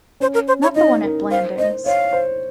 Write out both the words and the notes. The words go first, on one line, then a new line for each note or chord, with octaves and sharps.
Not the one at Blandings?
C#4 C5
A#4
C5
C#5
D#4 D#5
A#4
C5 F5
C5 D#5
C#5 F5
C5